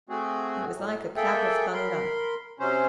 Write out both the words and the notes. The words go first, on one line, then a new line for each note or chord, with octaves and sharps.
It was like a clap of thunder.
A3 C4 F#4 G#4
A2 F#3
A#3 G#4 A4 E5 G5
A#4 B5 C6
C3 F#3 C#4 C5